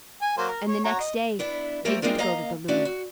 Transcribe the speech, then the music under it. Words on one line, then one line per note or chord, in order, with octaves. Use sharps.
And the next day they did go to the Louvre.
G#5
F#3 A#3 C5
A#4
C#5
F#4 C#5 A#5
D#5
B3 D4 E4
A3 A#3 C4 F4 G4 A#4
E3 G3 G#3 A#3 D4 F4
A#3 D#5 F5 A#5
F3 A3 C#4 D4 F#4 D5
F#4